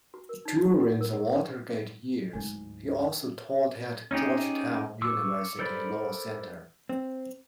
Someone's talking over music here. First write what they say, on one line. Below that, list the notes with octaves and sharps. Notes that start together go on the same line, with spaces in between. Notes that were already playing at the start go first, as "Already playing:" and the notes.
During the Watergate years, he also taught at Georgetown University Law Center.
F#4
A#4
D#4
F#5
A#4
F#5
D1 G#2 G#3
C#4 D#4 G4 G#4
C#6 D6 E6
A4 A#4 C5 D5 B5
C4